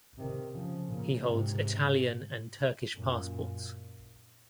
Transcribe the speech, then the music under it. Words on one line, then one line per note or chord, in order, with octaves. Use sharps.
He holds Italian and Turkish passports.
C3 D#3
C#3 F3
A#2 C#3
G#2 C3
F#2 A#2